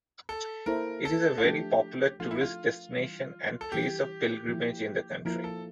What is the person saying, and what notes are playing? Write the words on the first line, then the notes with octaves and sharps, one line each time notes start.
It is a very popular tourist destination and place of pilgrimage in the country.
A4
A#3 E4 A4 A#4 C5
A4
F4
F3 A3 D4 G4 A4
F3 A3 D4 F4 A4
E4
F4
E3 G3 D4
A4
E3 G3 D4 G4
F3 A#3 E4
F3 A#3 E4 A#4
A4